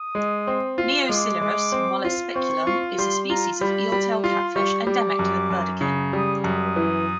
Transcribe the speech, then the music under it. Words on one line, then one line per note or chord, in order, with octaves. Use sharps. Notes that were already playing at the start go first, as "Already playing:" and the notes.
"Neosilurus mollespiculum" is a species of eeltail catfish endemic to the Burdekin.
Already playing: D#6
G#3
C4
F4
G#3 D6
G#3
C4
F4
C4 C#6
F4
G3 C6
F4 A#5
G3 B5
G3
F4 C6
G3 C#6
G3 D6
F#2
F#2
C#3
G3 D#6
F#2 D#6
E3